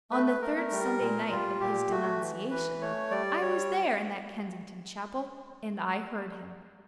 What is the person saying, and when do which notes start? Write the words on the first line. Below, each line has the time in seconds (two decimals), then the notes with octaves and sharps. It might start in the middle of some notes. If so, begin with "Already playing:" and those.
On the third Sunday night of his denunciation I was there in that Kensington chapel, and I heard him.
0.11 A3 B4
0.26 B4
0.41 A3 A#4
0.57 A#4
0.72 G3
1.01 A#2
1.31 G3 F4
1.61 A#2 G4
1.91 A3 F#4
2.21 E3
2.51 E3 B4
2.81 A3 C#5
3.11 G3 D5
3.41 G3 C#5